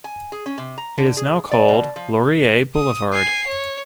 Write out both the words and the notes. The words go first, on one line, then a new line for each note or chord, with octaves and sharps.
It is now called Laurier Boulevard.
G#5
G#4
C#4
C3
A#5
D3
G#4
D5
B2
F3
D#6
G#5 C7
C#5